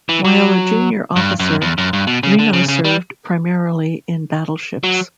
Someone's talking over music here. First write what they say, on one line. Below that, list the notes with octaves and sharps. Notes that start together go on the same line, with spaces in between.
While a junior officer, Reno served primarily in battleships.
E3
F#3
G2
F#2
E2
F#2
G2
B2
C#3
D3
C#3
C#3
G3
F#3